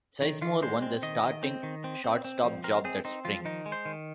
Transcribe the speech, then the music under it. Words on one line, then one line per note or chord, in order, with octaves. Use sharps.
Sizemore won the starting shortstop job that Spring.
D#3
D#3 F4
G#3 C5
C4
D#3 D#5
D#3
C4
D#3
C4
C4
C4
F3
C4 A#4
C4 G#4
C4 D#4
F3 F4
D#3 D#4
G#3
C5
D#3